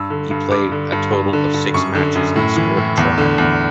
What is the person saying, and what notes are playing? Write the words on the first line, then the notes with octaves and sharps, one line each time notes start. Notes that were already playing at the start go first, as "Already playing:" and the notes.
He played a total of six matches and scored a try.
Already playing: G2 E6
D3
G2
G2 D6
D3
G2
G2
D3
G2
F#2 C#6
D3
F#2
A2
E3
A2
E2
D3
E2